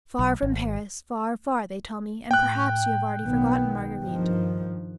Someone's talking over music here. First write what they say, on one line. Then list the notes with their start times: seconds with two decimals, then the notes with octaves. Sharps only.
Far from Paris, far, far, they tell me, and perhaps you have already forgotten Marguerite.
0.19 B1
0.43 G#1
2.31 A2 G5 F#6
3.21 B1 D#3 B3
4.02 G2 D#3 F3